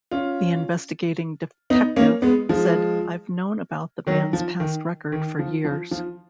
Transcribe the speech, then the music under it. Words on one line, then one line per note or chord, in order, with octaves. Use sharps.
The investigating detective said I've known about the man's past record for years.
C#4 F4
B3 D#4
A#3 C#4
G#3 B3
F3 G#3
D#3 F#3
F3
D#3
D#3
F3
F3
F3